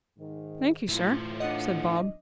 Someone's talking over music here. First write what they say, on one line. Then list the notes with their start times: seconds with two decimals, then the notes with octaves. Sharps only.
'Thankee sir,' said Bob.
0.19 G#2 D#3
0.89 A2 E3 F4
1.40 D4 D#5 F#5